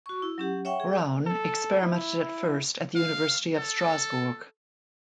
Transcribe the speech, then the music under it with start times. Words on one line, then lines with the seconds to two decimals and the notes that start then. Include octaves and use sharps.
Braun experimented at first at the University of Strasbourg.
0.06 F#4 C#6
0.22 E4
0.38 F#3 C#4 G4 F#5
0.65 C#5 E5 F#5 G5 C#6
0.80 G#4
1.27 A4
1.82 E4
2.96 F5
3.56 A4